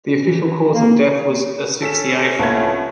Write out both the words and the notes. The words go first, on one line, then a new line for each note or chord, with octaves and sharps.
The official cause of death was asphixiation.
E3
A#3
C#4 A4 B6 E7
C2 E3 A3 B3 F4 C#5 G#6